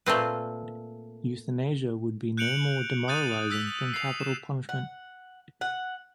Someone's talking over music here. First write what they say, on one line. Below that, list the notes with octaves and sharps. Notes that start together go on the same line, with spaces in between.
Euthanasia would be no more demoralizing than capital punishment.
A#2 A3 A#3 C4 B4
F#6 G6 C#7 D7 F7 F#7
D#6 F#6 G6 A6 D#7
E6 G6 B6
C7 F7
E7
F#5
F#5